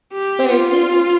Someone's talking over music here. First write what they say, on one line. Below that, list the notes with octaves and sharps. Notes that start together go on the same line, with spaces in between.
But it seems like
G4
F4